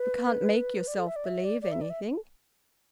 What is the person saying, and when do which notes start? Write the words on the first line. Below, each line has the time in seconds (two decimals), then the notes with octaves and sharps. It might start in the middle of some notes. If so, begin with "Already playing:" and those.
You can't make yourself believe anything.
Already playing: B4
0.87 D5
0.97 A4
1.07 E5
1.16 D5
1.25 E5
1.44 D5
1.62 D5
1.72 E5
1.81 D5
1.90 E5